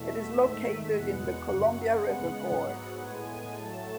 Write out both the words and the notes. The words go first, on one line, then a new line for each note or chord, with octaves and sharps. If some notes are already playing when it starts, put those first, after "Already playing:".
It is located in the Columbia River Gorge.
Already playing: E2 B2 A3 E5
G#2 D#3 A3
E2 B2 G#3 B3 F#5
F#2 C#3 F#3
C#3 G#3 B3 F#5
G#2 F#3 B3
A2 G#3 B3 G#5
A2 F#3 A3 A5